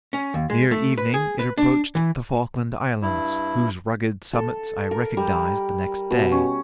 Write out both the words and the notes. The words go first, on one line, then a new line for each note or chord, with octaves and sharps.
Near evening it approached the Falkland Islands, whose rugged summits I recognized the next day.
C#4
D#2
G#3
A3
B4
G#4
B4
D4
E3
G2 E4
A4
A#4
G3
B2
C#4